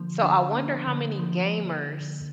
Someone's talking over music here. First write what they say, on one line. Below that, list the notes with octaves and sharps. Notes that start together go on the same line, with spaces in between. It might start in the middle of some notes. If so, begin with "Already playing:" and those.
So I wonder how many gamers
Already playing: D3 F3 A#3
D4
A#3
D3
F3